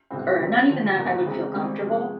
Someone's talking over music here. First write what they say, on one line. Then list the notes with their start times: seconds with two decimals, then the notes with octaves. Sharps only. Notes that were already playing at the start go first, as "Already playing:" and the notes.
or not even that I would feel comfortable,
0.11 C2 B2 G#3 C4
0.39 D#2 D#3 G3 C4 F4
0.68 D#2 D3 F3
0.96 F#1 E2 B2 G3 A#3
1.24 C#3 E3 G#3 C4 D#4
1.53 G#1 G#2 D#3 G3 C4
1.82 C3 F3 G#3